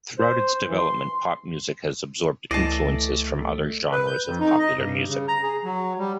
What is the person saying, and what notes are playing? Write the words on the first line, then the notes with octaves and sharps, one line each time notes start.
Throughout its development, pop music has absorbed influences from other genres of popular music.
C5
E3
C6
C#2 E3 A3 D5 D#5 A5 C7
B4
G6
F2
D#4
D#5
G2
C#3
A#5
G#4
F#3
G3